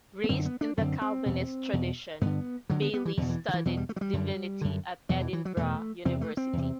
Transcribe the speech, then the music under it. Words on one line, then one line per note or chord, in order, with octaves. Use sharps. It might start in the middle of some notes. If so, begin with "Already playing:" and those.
Raised in the Calvinist tradition, Baillie studied Divinity at Edinburgh University.
B3
F#2 D3 C4
B3
D4
F#2 D3 C4
C4
E2 B2
E2 B2
G2 D3 B3
G2 D3 F#3
B3
B3
E3
E2 B2 D3
E3
D3
E3
E2 B2 F#3
G3
A3
F#3
G3
F#2 D3
F#2 D3
E2 B2 F#3
E3
E3
F#3
E2 B2 A3
E2 C3 C4
A3
C4
E2 C3